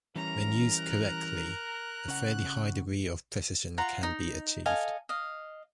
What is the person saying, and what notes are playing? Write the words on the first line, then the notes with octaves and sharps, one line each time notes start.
When used correctly, a fairly high degree of precision can be achieved.
E3 G3 C#4 A#4 A#5
F#6
C#3 F#5
F4 F#5 A#5
D#4
A4 D#5 F5 G#5
D#5 F5